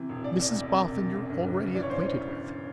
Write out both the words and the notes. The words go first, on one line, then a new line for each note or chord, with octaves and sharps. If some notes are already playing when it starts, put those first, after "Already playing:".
'Mrs Boffin you're already acquainted with.
Already playing: C3 E3
E1
E1 D5
E2
E1
C3
E1
E1
F#2
G1
C#3
G1
E3 D5
C#5
C5